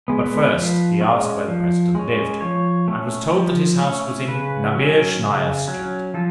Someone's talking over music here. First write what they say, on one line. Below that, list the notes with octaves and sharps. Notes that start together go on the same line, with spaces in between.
But first he asked where the President lived, and was told that his house was in Naberezhnaia Street.
G#3 B3
B4
F3
G#3 C#4
F3
G#3 C#4
F3 C#5
A3 C#4
F3
A3 C#4
C#3 B4
F#3 C#4
C#3
F#3 C#4
F3 A4